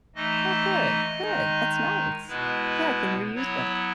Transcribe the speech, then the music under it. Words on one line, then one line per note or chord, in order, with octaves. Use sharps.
Oh, good good. That's nice. Yeah, I can reuse them.
E3 A3 D#4 D#5
D#3 G#3 D#4
B2 G#3 B3 E4 B4
F#3 B3 E4 C#5